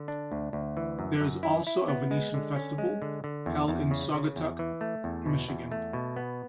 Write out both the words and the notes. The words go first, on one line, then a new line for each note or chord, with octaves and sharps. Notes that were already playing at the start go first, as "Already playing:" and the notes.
There is also a Venetian Festival held in Saugatuck, Michigan.
Already playing: D3
D4
D2
D2
E3
F#2
F#2
E4
E4
B3
G#3
D3
C#4
G#3
D3
D3
E2
E2
C#3
C#3
E2
E3
A3
E2
B2
E2
A3
B2
B3